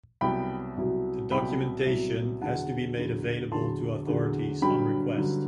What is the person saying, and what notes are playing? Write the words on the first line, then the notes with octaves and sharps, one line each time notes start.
The documentation has to be made available to authorities on request.
C2 B2 F#3 G5 B5
C2 B2 F#3
C2 B2 F#3 G5 B5
C2 B2 F#3
E2 D3 F#3 F#5 A5
E2 D3 F#3
E2 D3 F#3 A5 C6
E2 D3 F#3
G2 D3 F#3 G5 B5
G2 D3 F#3